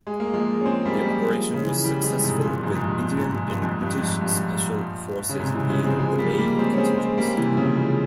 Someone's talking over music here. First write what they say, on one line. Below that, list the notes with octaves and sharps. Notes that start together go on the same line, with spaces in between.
The Operation was successful with Indian and British Special Forces being the main contingents.
G#3
A#3
F3 G#3
C#4
G#3 C4
G3 A#3
G3
F3 G#3
C#3
E3
F3
E3 G3
F3 G#3
G#2 C3
G2 A#2
F2 G#2
G#2
G2 A#2
G2
F2 G#2
G#2 C3
G2 A#2
F2 G#2
G2
F2 G#2
G2 A#2
C#3
G#2 C3
C3 E3
C#3 F3
G#3 C4
F3 G#3
G3 A#3
G3 A#3
G#3 C4
C#4
G#3 C4
G#3 C4
G3 A#3
C3 E3
C#3 F3
F3 G#3